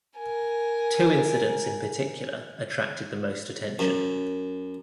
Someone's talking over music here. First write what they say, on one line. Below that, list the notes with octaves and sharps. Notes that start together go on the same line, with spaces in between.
Two incidents in particular attracted the most attention.
A#4 G#5
F#2